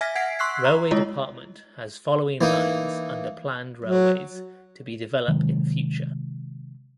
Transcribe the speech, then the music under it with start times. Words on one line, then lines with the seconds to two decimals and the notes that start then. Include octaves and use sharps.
Railway Department has following lines under planned railways to be develop in future.
0.01 E5 G#5 F6 G#6 A#6 B6
0.15 F#5 G#6 B6 C7 D7
0.39 C6 C#6 E6 F#6 B6 C7
0.65 A#5
0.91 G#3 E4 F4 C#5 D#5
2.41 E3 A#3 D#4
3.84 F#3
5.28 C3 D#3 F#3 G#3